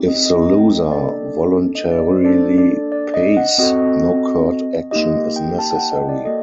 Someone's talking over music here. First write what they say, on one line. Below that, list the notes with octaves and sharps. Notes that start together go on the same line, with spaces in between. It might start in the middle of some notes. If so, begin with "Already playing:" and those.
If the loser voluntarily pays, no court action is necessary.
Already playing: C4 D#4 G4
D#5
D#5
A#5
G5
D#5
A#3 D4 A4 D5
D#5
D5
C5
A#3 D4 A4 D5
D5
D5
D#5
F#5
C4 F#4 A4 D#5
A#3 D#4 G4 D#5
G5
A5
G5
F#5
D#5
D5
A#3 F#4 A4 D#5